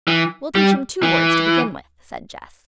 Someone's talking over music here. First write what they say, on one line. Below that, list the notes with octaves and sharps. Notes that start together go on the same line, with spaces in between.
"We'll teach him two words to begin with," said Jess.
E3
G3
E3